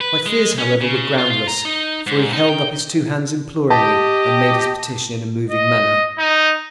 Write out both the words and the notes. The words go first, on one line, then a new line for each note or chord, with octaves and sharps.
My fears, however, were groundless, for he held up his two hands imploringly, and made his petition in a moving manner.
B4
G#3
C#4
C#3
F4
F4
A#5
D#4
G#2
D#4
G5
G4 D#5 A5
D#5
D#4